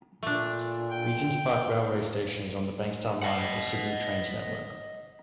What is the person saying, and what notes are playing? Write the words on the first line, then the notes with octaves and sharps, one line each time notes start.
Regents Park railway station is on the Bankstown Line of the Sydney Trains network.
A#2 A3 D4
G5
D#5 F#5